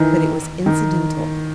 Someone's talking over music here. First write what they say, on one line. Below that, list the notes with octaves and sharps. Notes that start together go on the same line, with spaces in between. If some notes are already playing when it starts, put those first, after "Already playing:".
But it was incidental.
Already playing: D#3 E3
D#3